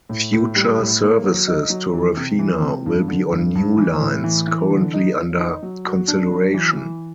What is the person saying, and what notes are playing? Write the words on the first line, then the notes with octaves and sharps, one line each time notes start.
Future services to Rafina will be on new lines, currently under consideration.
A2
A2
G3
A2
A#3
F#3
D#4
F#3
E3
C3
E3
C3
G2
D3
G2
G2
E3
A2
E3
E3
D3
D#4
F3
D#4
F#3
F#4
D4
F#3
E3
E3